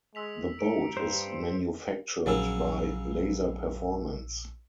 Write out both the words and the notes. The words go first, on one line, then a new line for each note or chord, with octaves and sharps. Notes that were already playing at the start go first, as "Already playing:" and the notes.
The boat is manufactured by Laser Performance.
G#3 E6 B6 F7
A#5 C#7 D7
G2 C5
A#1 C#3 F#3 C#4 E6